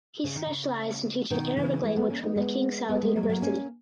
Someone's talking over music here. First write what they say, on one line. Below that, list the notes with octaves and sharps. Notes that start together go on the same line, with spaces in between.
He specialized in teaching Arabic language from the King Saud University.
C#3
D#3
C#3
B2 D#3
C#3 E3
E3 G#3
G#3 B3
A#3 C#4
B3 D#4
G#3 B3
G#3 B3
G#3 B3
F#3 A#3
G#3
F#3 A#3
A#3 C#4